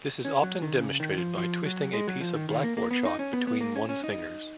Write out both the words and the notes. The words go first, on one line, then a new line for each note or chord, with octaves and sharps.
This is often demonstrated by twisting a piece of blackboard chalk between one's fingers.
C#4
F#3
D#3
C#3
D#3
F3
F3
F#3
G#3
F#3
F3
D#3
D#3
A#3
A#3
B3
D#4
C#4
B3
B3
A#3
C#4
C#4
D#4